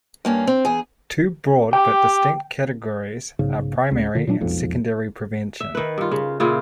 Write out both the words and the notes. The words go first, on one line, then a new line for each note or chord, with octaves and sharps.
Two broad but distinct categories are primary and secondary prevention.
G2 A#3 C#4
C4
E2 G#4
G4 G5
B1 G#2 C#3
C#2
A#2 D3
A#2 F#3 C4 D4
E1 B1 F2
E5
D#3 B4
G2 F4
C#3
A#2 C#3 E4 F4